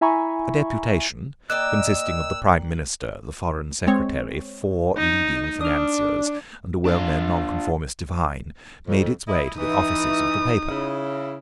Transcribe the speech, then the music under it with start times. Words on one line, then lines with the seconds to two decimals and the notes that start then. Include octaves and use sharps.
A deputation, consisting of the Prime Minister, the Foreign Secretary, four leading financiers, and a well-known Nonconformist divine, made its way to the offices of the paper.
0.01 E4 E5 G#5 A#5 B5 C#6
1.50 A#3 D5 D#5 G5 E6 F#6
3.87 G#3 C4 C#5
4.97 D#4
5.61 D4 D#6 F6
6.86 D4 F4
8.88 F2
9.28 E4 D#5
9.59 E3 D#4 D#6
10.70 C#3 E4